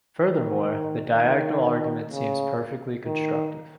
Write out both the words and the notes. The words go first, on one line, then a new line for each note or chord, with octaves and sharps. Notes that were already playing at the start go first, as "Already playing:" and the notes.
Furthermore, the diagonal argument seems perfectly constructive.
D#3
D#3
C#3
D#3